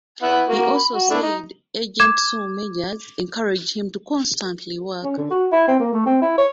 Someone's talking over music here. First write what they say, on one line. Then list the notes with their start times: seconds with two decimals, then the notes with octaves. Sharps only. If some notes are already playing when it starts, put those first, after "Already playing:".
He also said agent Sue Mengers encouraged him to constantly work.
0.22 B3 E4 F#5
0.48 A#3 F#4
0.74 B5
0.94 F#4
1.10 A3 D4 E4
1.22 D#4
2.00 D6 G#6 E7
5.04 C#4
5.17 D3
5.31 F#4
5.52 E4
5.68 C4
5.80 A#3
5.93 A3
6.06 C4
6.22 E4
6.38 C#5